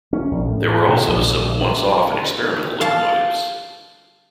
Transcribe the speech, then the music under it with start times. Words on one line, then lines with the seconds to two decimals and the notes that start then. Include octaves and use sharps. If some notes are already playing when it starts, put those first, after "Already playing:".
There were also some once-off and experimental locomotives.
0.13 C#4
0.31 A#1
0.47 A2
0.88 B2
1.08 A#1
2.81 F5 A5